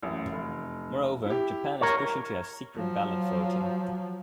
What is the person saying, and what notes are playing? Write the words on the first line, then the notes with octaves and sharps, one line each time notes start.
Moreover, Japan is pushing to have secret ballot voting.
A1 F#2
F1
E4 G4
A#4 C#5
F3 F#3